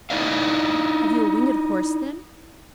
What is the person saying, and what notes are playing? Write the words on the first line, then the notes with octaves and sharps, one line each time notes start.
"Have you a winged horse, then?"
D#4 E4 D5 D#5 F5